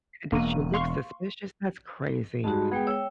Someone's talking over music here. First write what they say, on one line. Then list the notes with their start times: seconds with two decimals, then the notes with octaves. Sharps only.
Did she look suspicious? That's crazy.
0.32 E1 A#3 D#7
0.74 F5 C6 C#6
2.44 G#2 G3 G#3 F#4 A5
2.71 G#3 B3 G#4 G5
2.87 C#5 G5 E6